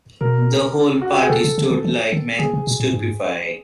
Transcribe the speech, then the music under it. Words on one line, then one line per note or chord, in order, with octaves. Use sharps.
The whole party stood like men stupefied.
B2 A#4
F#4
G4
G#4
C3 A4
C#3
D3
D#3
E3
D#3
D3 G#4
C#3
B2
A2
G#2